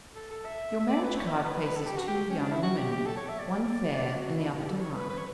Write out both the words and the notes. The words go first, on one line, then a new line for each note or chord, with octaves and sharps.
Your marriage-card faces two young women, one fair and the other dark.
A4
A4
E5
E5
D5
B4
C#5
E5
D5
B4
B4
B4
A4
G4
F#4
G4
C#4
D4
E4
F#4
G4
G4
A4
C#5
E5
D5
D5
F#4
E4
F#4
G4
A4
C#5
A4
B4
B4
C#5